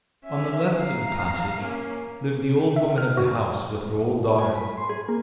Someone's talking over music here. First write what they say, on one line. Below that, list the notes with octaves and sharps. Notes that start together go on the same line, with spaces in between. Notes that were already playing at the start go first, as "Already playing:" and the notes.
On the left of the passage lived the old woman of the house with her old daughter.
C#4 E5
F5 A#5
A#3 C#4
E5
F6
F#4
G#5
B5
C6
G#4
A#3